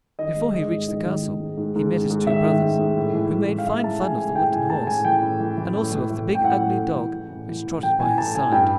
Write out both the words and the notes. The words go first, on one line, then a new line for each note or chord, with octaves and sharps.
Before he reached the castle, he met his two brothers, who made fine fun of the wooden horse, and also of the big ugly dog which trotted by his side.
D#3 D#5
G#2
G#2 D#5
G#2
D#3 D#5
D#3
D#3
G#2
G#2
G#2
D#3
G#2
D#3 E5
D#3
G#2
G#2
A2
E3
E3
E3
F5
E3 E5
A2 A5
A2 G#5
E3 G#5
A2 G5
A2 G#5
A2 A5
A2 G#5
E3 G5
A2
E3
E3
A2
E3
A2
A2
G5
A2 F#5
A2
A2
E3
E3
A2
E3
A2
E3 G5
E3 G#5
A2 A5
A2 G#5
G2 G5